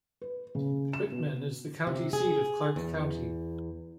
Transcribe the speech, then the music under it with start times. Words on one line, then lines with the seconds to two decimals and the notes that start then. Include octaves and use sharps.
Quitman is the county seat of Clarke County.
0.22 B4
0.55 C#3
0.93 E7
1.12 B2
1.87 C3
2.13 G#4
2.76 E2